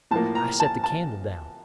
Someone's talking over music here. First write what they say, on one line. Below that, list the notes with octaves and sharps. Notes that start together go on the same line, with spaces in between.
I set the candle down.
A2 F3 A#3 A5
A#5
A5
A5